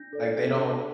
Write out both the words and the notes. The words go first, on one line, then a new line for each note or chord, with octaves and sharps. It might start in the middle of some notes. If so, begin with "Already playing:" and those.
Like, they don't
Already playing: D4 G6 A#6
A4 D5
D4